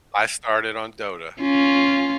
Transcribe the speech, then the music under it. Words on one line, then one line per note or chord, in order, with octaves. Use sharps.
I started on Dota.
C#4 F4